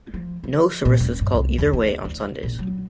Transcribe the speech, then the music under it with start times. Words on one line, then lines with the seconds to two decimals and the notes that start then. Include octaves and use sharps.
No services call either way on Sundays.
0.14 F3
0.44 F3
0.85 A#2
1.00 D#1
1.21 G2
1.35 C2
1.58 D#2
1.73 D3
2.05 D2
2.43 A#1
2.59 F#3